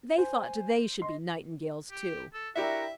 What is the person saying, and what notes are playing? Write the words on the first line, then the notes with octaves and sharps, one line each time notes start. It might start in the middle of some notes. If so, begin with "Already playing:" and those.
They thought they should be nightingales too.
C5 G#5
D#5 C6
G4
A4
D4 E4 F#4 G4 A#4 E5